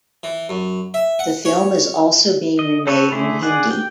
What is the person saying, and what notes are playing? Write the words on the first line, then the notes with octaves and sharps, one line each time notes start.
The film is also being remade in Hindi.
E3
F#2
E5
F#5
C#5
D#5
C4 A4 B4 C#5
D3 A3 E4 G#4
G#4 D5 F#5 G#5
G5